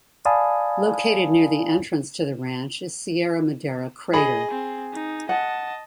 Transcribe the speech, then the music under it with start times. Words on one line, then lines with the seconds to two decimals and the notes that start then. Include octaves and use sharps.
Located near the entrance to the ranch is Sierra Madera crater.
0.25 D5 F5 G#5 A5 B5 D#6
4.13 G#4 D#5 B5
4.51 C4
4.93 D#4
5.29 D#5 F#5 A5